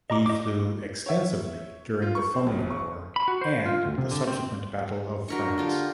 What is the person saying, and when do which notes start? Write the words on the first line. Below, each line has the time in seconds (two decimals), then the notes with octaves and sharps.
He flew extensively during the Phoney War and the subsequent Battle of France.
0.10 D#5 A#5 D6
0.26 D#5 D6
1.06 C#5 E5
2.02 F4
2.15 C#6
2.34 C4
2.47 B1
2.59 G1
2.70 C#6
3.16 B5
3.28 F#4
3.41 C5
3.66 F4
3.85 D2
3.98 C3
4.11 D3
4.27 C4
5.28 F#3 D4 A#4 C#6
5.58 D3 F4 G4